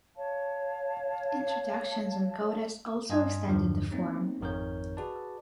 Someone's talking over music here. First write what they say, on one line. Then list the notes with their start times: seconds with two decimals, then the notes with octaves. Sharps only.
Introductions and codas also extended the form.
0.16 C#5 F5 A5
3.10 G2 D#5 F5 G#5 C6 G#6
3.47 E2 G2 D3 D#3 F3
3.91 A3 A#3 C4 C#4 D#4
4.41 G#1 F2 D#3 A#4 C#5 G6
4.97 F#4 G#4 B4 D5 A5